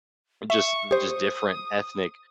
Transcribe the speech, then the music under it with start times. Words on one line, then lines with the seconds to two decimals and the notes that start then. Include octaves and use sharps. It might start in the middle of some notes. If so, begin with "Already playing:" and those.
just just different ethnic
0.50 E5 C#6
0.91 G4 C5 D#6